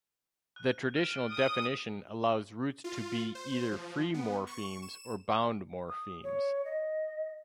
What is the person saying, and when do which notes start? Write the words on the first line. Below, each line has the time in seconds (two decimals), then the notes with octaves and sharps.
The traditional definition allows roots to be either free morphemes or bound morphemes.
0.56 F#6
0.96 F6 A6 D7
1.32 D#6 D#7 G7
2.84 F4
3.35 C5
3.71 F3
4.14 B3
4.47 C#6
4.82 E7
5.88 D#6
6.24 C#5
6.65 D#5